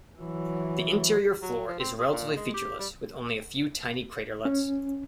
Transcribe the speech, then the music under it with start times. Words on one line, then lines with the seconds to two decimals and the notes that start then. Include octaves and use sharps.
The interior floor is relatively featureless, with only a few tiny craterlets.
0.19 E3 F#3
1.42 F#3
1.67 F3
1.80 C4
1.99 G#4
2.12 A#2
2.37 G#3
2.54 G4
2.79 G3
4.45 C#4